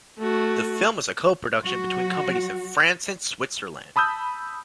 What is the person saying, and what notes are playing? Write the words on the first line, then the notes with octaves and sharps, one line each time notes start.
The film was a co-production between companies in France and Switzerland.
A3 F#4
F#3 F#4
A5 B5 D#6 E6 G6